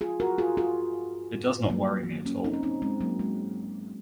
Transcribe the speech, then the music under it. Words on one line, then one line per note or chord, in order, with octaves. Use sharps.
It does not worry me at all.
F4 G#4
F#4 A#4
F4 G#4
F4 G#4
F#3 A#3
A#3 C#4
C4 D#4
C#4
C4 D#4
G#3 C4
F#3 A#3
G#3